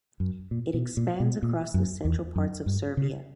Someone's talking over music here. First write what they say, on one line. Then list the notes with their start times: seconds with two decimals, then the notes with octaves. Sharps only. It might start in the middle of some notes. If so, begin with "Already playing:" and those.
It expands across the central parts of Serbia.
0.20 F#2
0.51 A#2
0.74 B2
0.97 A#2
1.20 B2
1.43 A#2
1.74 F#2
2.05 E2
2.36 F#2
2.66 G2
2.97 C#3